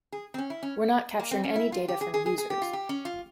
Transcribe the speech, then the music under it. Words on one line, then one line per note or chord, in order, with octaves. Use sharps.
We're not capturing any data from users.
G#4
C4
C#4
E4
C#4
A#3
C4
C#4
E4
F4
G4
G#4
G#4
G#4
G#4
G4
F4
G4
C#4
F4